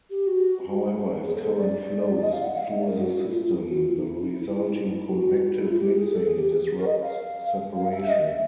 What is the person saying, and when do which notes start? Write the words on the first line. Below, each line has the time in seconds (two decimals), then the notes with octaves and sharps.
However, as current flows through the system, the resulting convective mixing disrupts separation.
0.10 G4
0.27 F#4
1.24 G#4
1.35 A4
1.47 A4
1.58 D5
2.22 D#5
2.33 F5
2.44 F#5
2.55 F5
2.63 E5
2.71 D#5
2.80 D5
2.87 A#4
2.98 F#4
3.09 F#4
3.19 E4
3.31 F4
3.42 F4
3.68 F#4
3.85 F4
3.96 D#4
4.07 E4
4.18 E4
4.40 E4
4.50 E4
4.61 E4
4.72 D#4
4.83 E4
5.09 G4
5.15 F#4
5.47 E4
5.58 E4
5.69 F4
5.80 G4
5.97 G#4
6.13 A4
6.26 G#4
6.39 G4
6.51 G#4
6.78 A#4
6.86 D#5
7.02 F5
7.75 F5
7.92 E5
8.09 D#5
8.25 E5